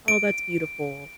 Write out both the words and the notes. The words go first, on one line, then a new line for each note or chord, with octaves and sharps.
Oh, that's beautiful.
D7